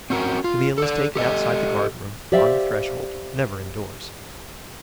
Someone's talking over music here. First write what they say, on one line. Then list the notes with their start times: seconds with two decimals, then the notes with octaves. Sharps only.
The meal is taken outside the guard-room, on the threshold, never indoors.
0.10 C4 C#4 F#4 A#4
0.44 F4
0.78 A4 D5
1.15 G4 A4 D#5
2.32 G4 C5 D5 E5 F5 G5